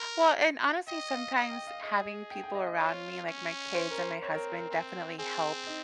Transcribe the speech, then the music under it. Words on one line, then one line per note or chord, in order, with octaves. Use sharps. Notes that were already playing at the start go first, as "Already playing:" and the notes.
Well, and, honestly, sometimes having people around me, like my kids and my husband, definitely help
Already playing: A#4 C6
D#5 G5
F5
D#5 F5
G5
F5
G#4 D#5
G5
G5
D#5
D#5
F4 C#5
C#4
C5
A#4
C5
C4 C#5
A#4
A#4
C4
C4 G#4
D#4